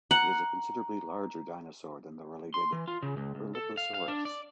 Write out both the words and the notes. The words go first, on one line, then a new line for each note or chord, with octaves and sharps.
It is a considerably larger dinosaur than the related "Erlikosaurus".
F#5 A#5
C6
E3
F4
C#3
C#2
C#2
A4
F5
F5
D4
D5